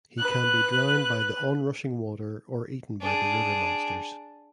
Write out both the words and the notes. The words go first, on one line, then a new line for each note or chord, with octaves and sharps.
He can be drowned by the onrushing water or eaten by the river monsters.
B4 F#6
D4 G#4